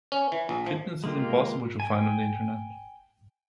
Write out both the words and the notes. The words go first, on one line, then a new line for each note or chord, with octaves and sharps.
Fitness is impossible to find on the internet.
C#4
E3
A#1
F3
G#3 A#3 F4 G4
G5 G#5